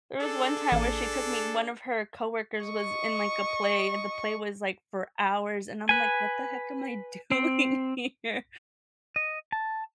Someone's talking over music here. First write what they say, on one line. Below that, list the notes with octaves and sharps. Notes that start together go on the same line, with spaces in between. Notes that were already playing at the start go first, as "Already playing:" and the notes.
there was one time where she took me one of her coworkers was in, like, a play, and the play was, like, for hours, and I'm like, "What the heck am I doing here,"
D4 G#4 A4
A1 A#3
D#5 C#6
B4 G#5
C4
D#5
A5